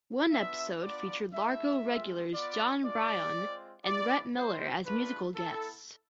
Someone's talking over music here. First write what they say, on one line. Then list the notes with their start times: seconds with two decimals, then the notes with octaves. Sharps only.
One episode featured Largo regulars Jon Brion and Rhett Miller as musical guests.
0.32 B3 D4 F4 E5
0.83 B3 D4 F4 D5
1.33 A3 E4 E5
1.83 G#3 C4 F4
2.34 B3 F4 D5
2.83 G#3 D4 F4 D5
3.34 G#3 C4 F4
3.85 G#3 B3 E4 D5
4.35 G#3 C4 E4 C5
4.85 A3 D4 F4 B4
5.36 B3 E4 A4